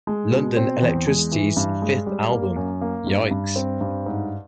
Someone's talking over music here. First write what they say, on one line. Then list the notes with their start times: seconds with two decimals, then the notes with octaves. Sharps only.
London Elektricity's fifth album, Yikes!
0.07 G#3
0.32 B2
0.57 C4
0.82 E2
1.07 G#3
1.32 E3
1.57 G2
1.82 G#3
2.06 G3
2.31 A#3
2.56 F#2
2.81 A#3
3.07 G2
3.31 G2
3.56 C4
3.81 G2
4.06 G#2